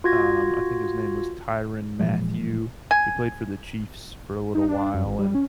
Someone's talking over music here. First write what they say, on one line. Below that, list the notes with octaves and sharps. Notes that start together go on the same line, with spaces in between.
um, I think his name was Tyrann Mathieu. He played for the Chiefs for a little while, and
F4 F#4 G#6 A#6
A#2 E3 F3 G#3
G#5
D#4
D4
F#2
G#1
G3
C#4